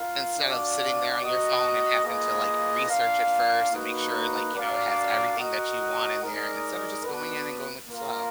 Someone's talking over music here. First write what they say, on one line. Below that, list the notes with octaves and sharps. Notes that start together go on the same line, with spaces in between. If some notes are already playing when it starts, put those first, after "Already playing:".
Instead of sitting there on your phone and having to like research it first and make sure like, you know, it has everything that you want in there instead of just going in and going with the flow.
Already playing: F4 A#4 F5
D4 F#4 D5 F5
F#4 A#4 D#5 F#5
A#3 F4 G#4 B4 D#5
D4 F4 A#4 F5
A#3 D#4 F#4 B4
D4 F#4 A#4 D5 F5
F#4 A#4 D#5 F#5
G#3 D#4 A#4 D5
B3 D4 F#4 B4
A#3 F4 A#4 F5